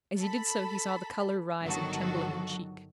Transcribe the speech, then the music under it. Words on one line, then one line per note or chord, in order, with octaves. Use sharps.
As he did so he saw the colour rise and tremble in her cheek.
A4 B5
G1 D#3 F#3 F#4 A4